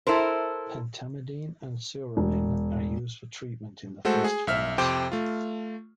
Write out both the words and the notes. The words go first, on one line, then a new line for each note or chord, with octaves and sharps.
Pentamidine and Suramin are used for treatment in the first phase.
E4 A4 A#4 C5
E1
G#3 A3 F#4 A4 C5
G#4
B1 E5 F6
F2 C3 C5 G5 D6
A3 F4